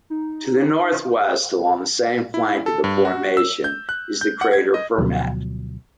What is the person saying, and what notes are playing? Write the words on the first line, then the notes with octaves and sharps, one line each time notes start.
To the northwest along the same flank of the formation is the crater Fermat.
D#4
E4
A4
G2
F#4
E6
G6
F#6
G6
F#5
G#6
D#5
D2 B2 F3 F#3